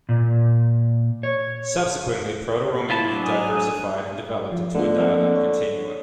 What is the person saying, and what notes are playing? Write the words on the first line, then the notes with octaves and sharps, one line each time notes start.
Subsequently Proto-Romanian diversified and developed into a dialect continuum.
A#2
C#5
E4 F4 B4 A5 B5
F#3 D4
G#5 A#5 D#6
F3
D3 A3 B3 F4
F3 A#3 C4
C#5